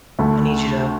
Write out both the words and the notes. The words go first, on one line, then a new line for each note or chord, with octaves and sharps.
I need you to
D2 A3